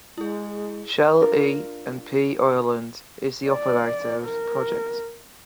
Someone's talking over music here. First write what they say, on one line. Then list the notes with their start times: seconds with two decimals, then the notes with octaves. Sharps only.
Shell E and P Ireland is the operator of the project.
0.18 G#3 E4 G#4
1.21 D4 F4 A#4
3.48 D5
4.25 A#4